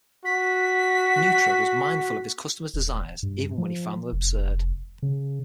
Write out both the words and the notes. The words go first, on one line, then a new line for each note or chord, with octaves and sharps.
Neutra was mindful of his customer's desires even when he found them absurd.
F#4 B6
D#1
G2
F3
F1
C#3